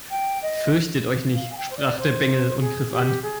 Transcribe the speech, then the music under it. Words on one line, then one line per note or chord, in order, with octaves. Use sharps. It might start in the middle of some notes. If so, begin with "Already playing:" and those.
"Fürchtet euch nicht", sprach der Bengel und griff an.
G5
D#5
F5
G#5
G5
C5
D5
C5
G#4
G4
G#4